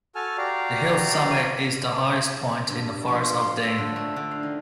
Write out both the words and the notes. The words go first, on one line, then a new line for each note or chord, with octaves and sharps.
The hill's summit is the highest point in the Forest of Dean.
F#4 A4 G#5 A5 F6
F#4 G4 D5 F5 A#5
G2
F3
F4
C6
A4
D3
A3
D3
F5
D#3